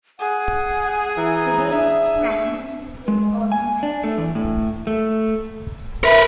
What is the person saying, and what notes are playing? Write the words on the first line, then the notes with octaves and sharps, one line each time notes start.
Today its primary use is ornamental.
G#4 F#5
E3 A#5
D4 E5
G#3
G#5
D4
A3
E2
A2
A3
A#4 B4 E5